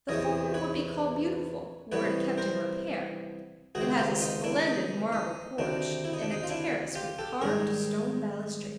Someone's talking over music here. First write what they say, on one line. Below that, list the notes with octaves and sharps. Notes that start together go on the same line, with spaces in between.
The former would be called beautiful were it kept in repair; it has a splendid marble porch, and a terrace with carved stone balustrade.
E2 C3 E3 C#5 D#5
B4 C#5
C3 E3 G3 B3 B4 C#5
A#4 C5
C#2 C3 D#3 F#4 G#4
F4 G4
D#4 F4
D4 E4
D#4
D#4
D2 C3 D#3 D4
E4
D#4
D4
D#4
F4
D4 E4
F4 G4
G4 A4
G#2 D#3 G3 G#4 A#4